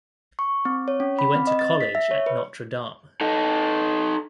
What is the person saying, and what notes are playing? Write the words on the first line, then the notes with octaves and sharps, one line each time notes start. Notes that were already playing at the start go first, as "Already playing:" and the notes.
He went to college at Notre Dame.
C#6
C4
C#5
C#4
B5
C4
D#5
A6
B6
E5
C#5
B4
D#4 A4